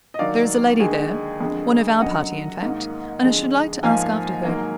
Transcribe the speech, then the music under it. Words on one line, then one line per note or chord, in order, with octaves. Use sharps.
There is a lady there,--one of our party, in fact,--and I should like to ask after her.
D#5
D#2 D#3 F#3 D5 F5
D#2 D3 G#3 G#4
F2 D3 G#3
F#2 D3 F#3 D#5 F#5
G#2 D#3 A#3
F2 D3 G#3
G#2 F3 A#3 F5 G#5
G#2 D#3 F#3 A#3